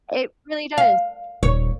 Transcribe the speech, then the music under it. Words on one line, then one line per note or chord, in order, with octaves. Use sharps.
It really does.
F5
D#1 C#5